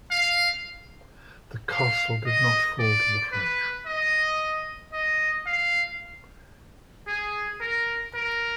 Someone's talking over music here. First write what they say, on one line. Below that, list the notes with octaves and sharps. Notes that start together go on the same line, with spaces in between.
The castle did not fall to the French.
F5
F5
D#5
D5
B4
D#5
D#5
F5
G#4
A#4
A#4